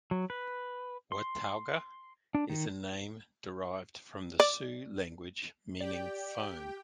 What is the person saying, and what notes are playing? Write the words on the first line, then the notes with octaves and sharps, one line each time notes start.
Watauga is a name derived from the Sioux language meaning "foam".
F#3
B4
C6
D4
D#3
D5
G4 D5 G5